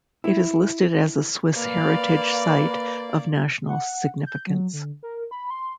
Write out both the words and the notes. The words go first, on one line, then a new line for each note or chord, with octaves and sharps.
It is listed as a Swiss heritage site of national significance.
E4
A#3 B4 D5 F5
F#5
G6
F#3
D3
A#4
B5
C6